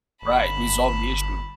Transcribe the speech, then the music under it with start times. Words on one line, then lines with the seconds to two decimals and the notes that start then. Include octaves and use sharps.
Right, resolved the issue.
0.22 G1 A5 B5